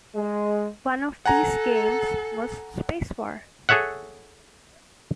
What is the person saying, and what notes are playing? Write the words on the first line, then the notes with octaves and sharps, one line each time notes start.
One of these games was Spacewar!
G#3
A4 F#5 G#5 A#5
G#4 A4 C#5 E5 F#5